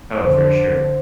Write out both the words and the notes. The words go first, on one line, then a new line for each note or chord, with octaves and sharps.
Oh, for sure.
F2 D3 C5